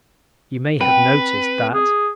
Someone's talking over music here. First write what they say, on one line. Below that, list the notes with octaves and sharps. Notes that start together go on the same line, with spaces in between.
You may have noticed that.
C4 B4 F#5 G5
G#4